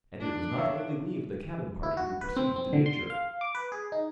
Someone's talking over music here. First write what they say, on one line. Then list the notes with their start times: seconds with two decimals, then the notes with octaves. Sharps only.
And it was not only we of the cabin party who perceived the danger.
0.20 D4
0.57 C#5 E5 F5
1.83 E4
1.97 F#4
2.21 B4
2.36 C4
2.56 C4
2.73 D3
2.86 C6
3.10 F5
3.41 D6
3.55 B4
3.72 G#4
3.92 D#4